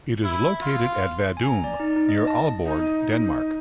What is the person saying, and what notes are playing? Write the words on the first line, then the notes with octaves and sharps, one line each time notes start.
It is located at Vadum, near Aalborg, Denmark.
E4
F4
G#5
A#5
D5
D#4
D#4
D#5
A5
D#4